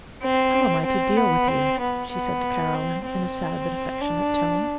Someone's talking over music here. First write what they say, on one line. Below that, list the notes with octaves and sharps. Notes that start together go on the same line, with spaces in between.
"How am I to deal with you?" she said to Caroline, in a sad but affectionate tone.
C4
C4
B3
C4
B3
B3
C4
C4
D4